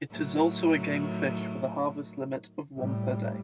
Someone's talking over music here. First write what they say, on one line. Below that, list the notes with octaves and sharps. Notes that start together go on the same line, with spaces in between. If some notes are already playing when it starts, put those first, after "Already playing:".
It is also a game fish with a harvest limit of one per day.
A2 D#3 F#3
A2 G3